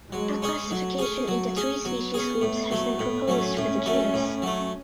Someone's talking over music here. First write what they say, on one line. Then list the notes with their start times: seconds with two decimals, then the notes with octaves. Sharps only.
A classification into three species groups has been proposed for the genus.
0.12 F#3 G#3
0.42 C#4 G#4
0.70 F#3 A3
0.99 C#4 G#4
1.28 F#3
1.56 C#4 G#4
1.85 F#3 B3
2.14 C#4 G#4
2.41 A2
2.71 F#3 A3
2.99 A2 B3
3.28 F#3 A3 C#4
3.57 A2
3.86 F#3 A3
4.14 A2
4.42 F#3 A3